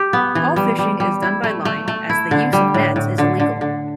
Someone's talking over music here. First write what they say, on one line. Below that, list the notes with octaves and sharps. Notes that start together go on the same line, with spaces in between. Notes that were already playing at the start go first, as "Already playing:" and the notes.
All fishing is done by line as the use of nets is illegal.
Already playing: G4
B3
E3
G3
G3
G3
E4
A3
A3
A3
E4
D3
G3
A2
A2
D3
D3
D3